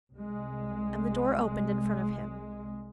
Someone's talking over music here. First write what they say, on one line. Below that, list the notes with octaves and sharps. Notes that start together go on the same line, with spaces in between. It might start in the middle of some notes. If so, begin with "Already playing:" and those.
And the door opened in front of him.
C2 G#3